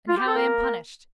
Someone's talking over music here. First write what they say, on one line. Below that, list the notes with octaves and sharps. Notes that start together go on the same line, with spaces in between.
And how I am punished!
F4
G4
A4
F2 A#3 A#4